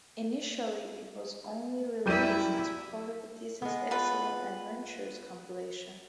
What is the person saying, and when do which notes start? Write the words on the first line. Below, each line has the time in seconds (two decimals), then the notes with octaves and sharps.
Initially it was only released as part of the Dizzy's Excellent Adventures compilation.
2.06 F#2 G3 E4 D5 E5 G6 D#7
3.62 G#3 B3
3.91 F4 B4